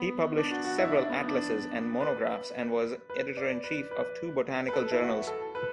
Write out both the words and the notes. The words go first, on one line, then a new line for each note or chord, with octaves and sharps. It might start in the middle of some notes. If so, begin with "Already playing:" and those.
He published several atlases and monographs and was editor-in-chief of two botanical journals.
Already playing: B3
D4
F#4
F#4
E4
D4
B3
D4
B4
B4
D5
B4
B4
B4
A4
E4
F#4
A4
B4